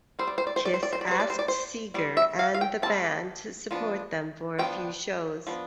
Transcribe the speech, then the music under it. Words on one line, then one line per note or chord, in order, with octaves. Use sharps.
Kiss asked Seger and the band to support them for a few shows.
G3 C4 C5
D5
C5
D5
C5
D5
C5
D5
C5
D5
G3 C4 C5
D5
C5
D5
C5
G3 C4 D5
E5
F5
F5
G5
G3 C4 A5
F3 B3 D4
F3 B3 D4 G5
F3 B3 D4